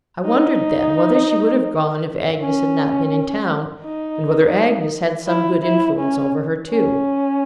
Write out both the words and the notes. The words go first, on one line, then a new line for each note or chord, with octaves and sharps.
I wondered then, whether she would have gone if Agnes had not been in town, and whether Agnes had some good influence over her too!
D#4
C#4
D#4
E4
E4
C#4
C#4